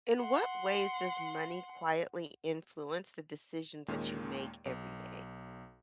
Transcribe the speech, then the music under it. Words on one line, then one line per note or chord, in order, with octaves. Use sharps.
in what ways does money quietly influence the decisions that you make every day?
F#5 C6
D#2 A#2 D#3 G#3 A#3 C#4
B1